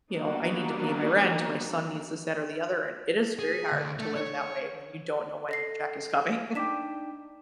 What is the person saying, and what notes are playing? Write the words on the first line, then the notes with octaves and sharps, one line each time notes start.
you know, I need to pay my rent. My son needs this, that, or the other," and it is very hard to live that way when you don't know when your check is coming.
F#3 G3 A#3 B3 D4 D#4
G#4
D2
A3
C#5
A4 D#5 A#6 C7
D4 D#4 G5 D6 B6 E7